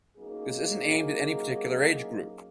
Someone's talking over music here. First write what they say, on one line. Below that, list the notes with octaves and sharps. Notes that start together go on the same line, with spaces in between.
This isn’t aimed at any particular age group.
F#3 A#3 C#4 D#4 G#4